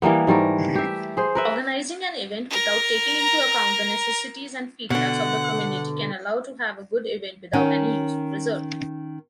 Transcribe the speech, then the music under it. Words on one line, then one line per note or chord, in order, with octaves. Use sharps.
Organizing an event without taking into account the necessities and feedbacks of the community can allow to have a good event without any useful result.
E3 G3 A#3 B3
G#2 G3 A3 A#4
G4 E5
G#4 C5
A#4 B4 E5
A#4 A#5
B2 D3 F#5
D#3 C#4